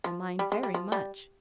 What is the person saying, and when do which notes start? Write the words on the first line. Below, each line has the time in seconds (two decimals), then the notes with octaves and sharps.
I mind very much.
0.04 F3
0.39 G3
0.52 G#3
0.63 G3
0.74 F3
0.92 G3